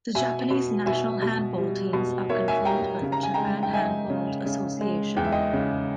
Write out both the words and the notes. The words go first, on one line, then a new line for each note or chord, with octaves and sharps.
The Japanese national handball teams are controlled by the Japan Handball Association.
B2 E5 G#5
B2
B2 E5 G#5
B2
G3
B2
A#3 C#5 E5
E5 G#5
G3 G5 A#5
C#3
A#5
G#5
G#3 G5 A#5
G5
D#4 E5 G#5
C#3
C#3
G#3
E2 G5
E5
D#5 G5
C#3